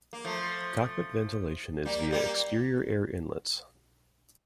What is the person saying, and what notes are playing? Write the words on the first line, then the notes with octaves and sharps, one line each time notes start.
Cockpit ventilation is via exterior air inlets.
A#3
F3 A3
G3 A#3
G3 A#3